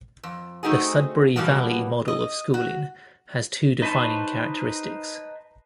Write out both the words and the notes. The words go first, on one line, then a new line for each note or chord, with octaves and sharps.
The Sudbury Valley model of schooling has two defining characteristics.
F2
A3 C4 D#4 F#4 G#4
B2 E3 G3 A#3 B3 F#4
D#5
F#4
D#4 B4 C5 A5 C#6